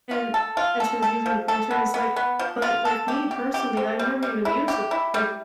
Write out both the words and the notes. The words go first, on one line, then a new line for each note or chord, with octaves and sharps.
and and she was using the printer and it's like but, like, me personally, I've never even used a p like,
F4
A4
F4
A4
A4
F3
A4
B3
B3
B3
F3
F4
A4
G4
G4
G4
C4
G3
G3
E4
G4
E4
G3